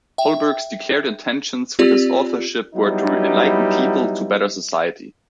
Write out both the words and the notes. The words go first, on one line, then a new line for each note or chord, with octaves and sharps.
Holberg's declared intentions with his authorship were to enlighten people to better society.
E5 G5
C4 F4 G4 D5
F#3 G3 B3 D#4 E4